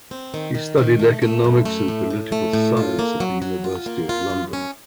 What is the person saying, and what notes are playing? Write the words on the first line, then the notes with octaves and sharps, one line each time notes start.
He studied economics and political science at the University of London.
C4
D#3
D#3
D#3
A3
A3
F#2
A3
A2
A2
A3
A2
F4
A#3
F#3
F#3
F4
A#3
F4
F#2
C#4